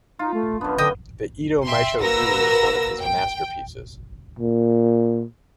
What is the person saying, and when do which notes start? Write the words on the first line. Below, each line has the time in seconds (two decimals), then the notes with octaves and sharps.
The "Edo Meisho Zue" is one of his masterpieces.
0.19 D#4 F4
0.34 A3
0.61 F#2 B3 D4
0.78 D3 D#5 G5 D#6
1.65 E5 G5 C6
2.00 A#3 F#4 A#4 B4 E6 A#6
3.02 G5
4.39 A#2